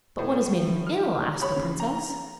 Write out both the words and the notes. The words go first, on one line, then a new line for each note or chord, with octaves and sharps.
'But what has made him ill?' asked the princess.
A2
F6
C#5 B5
C#3
A#5